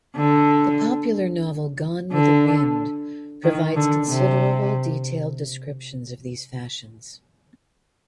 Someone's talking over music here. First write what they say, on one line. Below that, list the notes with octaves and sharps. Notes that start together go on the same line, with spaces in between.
The popular novel "Gone with the Wind" provides considerable, detailed descriptions of these fashions.
D3
D3
D#3
D3
C3